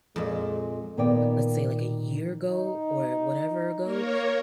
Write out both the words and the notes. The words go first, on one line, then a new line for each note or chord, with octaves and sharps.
let's say, like, a year ago or whatever ago,
F2 A#2 G#3
A#2 D#3 B3 A#4 D5 G5
D#4
A#3 A#4 C#5